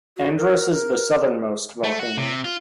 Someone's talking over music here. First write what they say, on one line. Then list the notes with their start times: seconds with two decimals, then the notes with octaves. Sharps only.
Andrus is the southernmost volcano.
0.17 F#4
0.38 A#4
0.72 A#4
1.83 A3
1.99 F#4
2.17 C3
2.44 F4